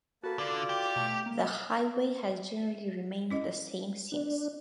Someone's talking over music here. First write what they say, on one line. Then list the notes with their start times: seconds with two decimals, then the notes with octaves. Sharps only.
The highway has generally remained the same since.
0.23 A#3 F#4 A4 B4 A5
0.39 D3 F4 D5
0.69 G4
0.96 B2 A3
1.26 A#3
3.30 C#4 E4 D#5
4.12 D4